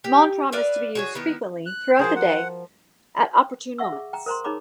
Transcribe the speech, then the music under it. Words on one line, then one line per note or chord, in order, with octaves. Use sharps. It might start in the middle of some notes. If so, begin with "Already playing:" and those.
The mantram is to be used frequently throughout the day, at opportune moments.
G4
B4 D5 E5 F5
F#4 G#4 C#5
D#3 B3 E4
F#6
F3 F#4 G#4 A#4 C5
F#5
E5 F#5 C#6 E6
G#4
G5 A#5
A#4 C5 A#5 C6
D#4 G#4 C#5 A#5 B5 D6